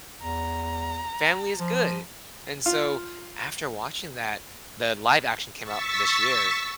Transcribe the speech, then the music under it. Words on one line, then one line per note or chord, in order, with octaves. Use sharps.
Family is good," and so, after watching that, the live-action came out this year.
E2 A#5
F3
F4
C#6 E6 A6 B6